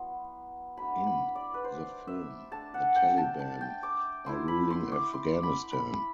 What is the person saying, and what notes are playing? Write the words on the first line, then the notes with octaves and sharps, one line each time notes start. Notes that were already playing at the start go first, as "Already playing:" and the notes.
In the film, the Taliban are ruling Afghanistan.
Already playing: F#3 B3 E4 C6
F#3 A3 D4 B5
B5
D5
B4
C5
E5
A3 D4 A5
F#5
G5
A5
A5
G5
D6
A3 E4 C6
B5
C6
D6
C6
B5
B5